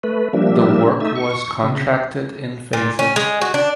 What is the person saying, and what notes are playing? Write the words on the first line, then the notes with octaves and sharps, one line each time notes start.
The work was contracted in phases.
A3 B4
F3 G3 A#3 D4 E5
A3 D#4 E5
C#6
C#3
A#2
C#4
G#3
F#4
D4